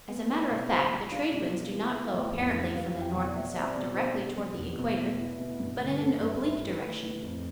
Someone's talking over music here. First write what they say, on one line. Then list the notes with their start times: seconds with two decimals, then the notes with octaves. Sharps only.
As a matter of fact, the trade winds do not flow apparently from the north and south directly toward the equator, but in an oblique direction.
0.09 B3
0.30 D4
0.50 B2
0.70 F4 C5
0.91 G3
1.11 D4 F5
1.32 B2
1.52 F4
1.72 E3
1.92 B3 E5
2.06 F5
2.13 A2
2.20 G5
2.34 F2
2.54 E3
2.73 G3 F5
2.88 F5
2.95 F2
3.01 G5
3.14 B2 G5
3.27 D5
3.35 G3 E5
3.56 C4 D5
3.76 B2
3.96 D4 C5
4.17 B2
4.37 G3
4.57 E2
4.78 B2
4.98 A3
5.19 E4 B4
5.39 B2
5.60 G2
5.80 D3
6.00 A3 A4
6.14 B4
6.20 G2
6.27 E5
6.41 D4 B4
6.54 B4
6.62 E3
6.68 B4
6.82 A3 B4
7.02 A2
7.23 F2